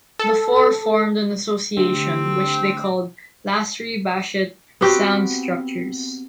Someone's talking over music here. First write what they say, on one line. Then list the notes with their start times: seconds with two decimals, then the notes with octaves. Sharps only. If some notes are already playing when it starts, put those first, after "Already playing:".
The four formed an association which they called Lasry-Baschet Sound Structures.
0.19 A4
1.77 D3 A3 C4 G4
4.81 B3 C4 F#4 G4